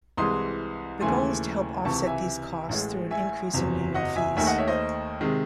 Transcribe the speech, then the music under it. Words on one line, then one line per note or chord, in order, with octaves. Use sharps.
The goal is to help offset these costs through an increase in union fees.
C2 C3 E3 G#3 C6 D#6
D#2 C#3 E3 A3 G#5 C6
C#2 C3 E3 A5 C#6
E5 G#5
A1 A2 G#3
E5 G#5
F#1 E2 C3 F#3
D#5 F#5
E5 G#5
D#2 D#3 A3 E5 G#5
D#5 F#5
C#5 E5
C5 D#5
C3 D#3 G#3